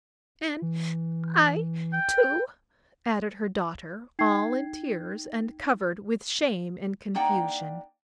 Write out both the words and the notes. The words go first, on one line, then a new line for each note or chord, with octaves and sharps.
"And I too," added her daughter, all in tears and covered with shame and confusion.
E3
G5
D#4 G5 G#6 C7
A#3 D4 D#4 D5 F#5 G5